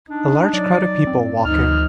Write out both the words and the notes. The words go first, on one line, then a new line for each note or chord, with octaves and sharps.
A large crowd of people walking.
D4 D#4
F#3 D5
G2 C4
D2 F3 D#4 F6